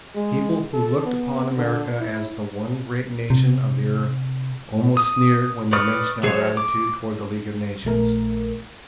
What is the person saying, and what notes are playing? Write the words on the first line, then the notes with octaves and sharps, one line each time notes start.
People who looked upon America as the one great nation of the earth almost sneered when they mentioned our attitude toward the League of Nations.
G#3
A4
B3
D3
E4
C3
D#6
B4 D5 C#6 D#6 F6
F#3 G#4 A4 C5 C#5
D6
A#1 A3 A#4